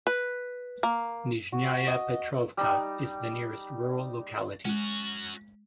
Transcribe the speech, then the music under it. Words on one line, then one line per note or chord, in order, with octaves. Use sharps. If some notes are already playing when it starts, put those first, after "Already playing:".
Nizhnyaya Petrovka is the nearest rural locality.
B4
A#3
F#4
D#5
G3 D#4
G#3 C#4 F#4